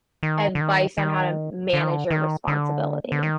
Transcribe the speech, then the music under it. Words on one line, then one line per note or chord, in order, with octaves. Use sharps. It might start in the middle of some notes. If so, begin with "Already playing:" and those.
advice on how to manage your responsibilities?
D#3
D3
D#3
D#3
D3
D#3
D3
D#3
D3
D3
D#3